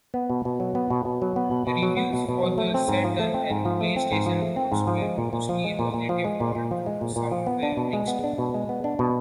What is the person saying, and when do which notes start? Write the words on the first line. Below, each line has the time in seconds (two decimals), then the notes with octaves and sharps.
Reviews for the Saturn and PlayStation ports were mostly positive although some were mixed.
0.14 B3
0.30 B2
0.45 B2
0.60 F#3
0.75 B3
0.90 B2
1.05 B2
1.22 F#3
1.36 B3
1.51 B2
1.67 B2
1.82 F#3
1.97 B3
2.13 B2
2.29 B2
2.43 F#3
2.58 A3
2.74 C4
2.89 G#2
3.04 F3
3.20 A3
3.34 C4
3.51 G#2
3.65 F3
3.81 A3
3.96 C4
4.12 G#2
4.26 F3
4.42 A3
4.56 C4
4.72 G#2
4.87 F3
5.02 G#3
5.18 A#2
5.33 A#2
5.49 F3
5.64 G#3
5.79 A#2
5.94 A#2
6.09 F3
6.25 G#3
6.40 A#2
6.55 A#2
6.71 F3
6.86 G#3
7.01 A#2
7.16 A#2
7.31 F3
7.47 B3
7.63 D4
7.77 B2
7.93 G#3
8.08 B3
8.24 D4
8.38 B2
8.54 G#3
8.69 B3
8.84 D4
8.99 B2